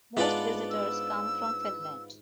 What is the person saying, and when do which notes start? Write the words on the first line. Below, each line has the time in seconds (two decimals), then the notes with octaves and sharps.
Most visitors come from Finland.
0.17 G#2 B3 D4 F4 D5
0.70 E6